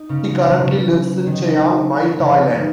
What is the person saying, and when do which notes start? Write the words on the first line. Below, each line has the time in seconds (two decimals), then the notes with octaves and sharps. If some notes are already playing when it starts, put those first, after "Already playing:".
He currently lives in Chiang Mai, Thailand.
Already playing: D#4
0.09 C#3 C#4
0.32 F#3
0.48 B2 B3
0.64 C#3 C#4
1.26 D#3 D#4
2.13 B3
2.19 C#3 C#4
2.31 F3 F4
2.42 D#3 D#4
2.54 C#3 C#4